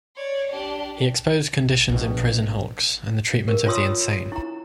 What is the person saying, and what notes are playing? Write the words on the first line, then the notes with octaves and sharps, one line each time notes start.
He exposed conditions in prison hulks and the treatment of the insane.
C#5 D5
D4 G4
A#1 B2
A#4
F4 C#5 A5 C6 D#6 E6
E4 A#5